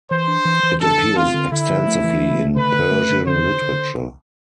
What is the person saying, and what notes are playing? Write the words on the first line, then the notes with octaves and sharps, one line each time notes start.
It appears extensively in Persian literature.
E3 C5
D4
E3
E3
D4 A4
E3
C4 F4
D3
D3 E4
F3
A3
E3
A3
A3
D3 B4
D3
A3
D3
D3 C5
D3
D3